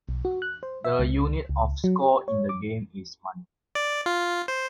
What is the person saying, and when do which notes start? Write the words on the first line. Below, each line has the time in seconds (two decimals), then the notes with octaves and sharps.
The unit of score in the game is "money".
0.09 B1
0.25 F#4
0.42 F#6
0.63 C5
0.84 E5
0.99 C#2
1.49 C#2
1.84 F#3
2.02 G4
2.28 C#5
2.49 D6
3.75 D5
4.06 F4
4.48 C5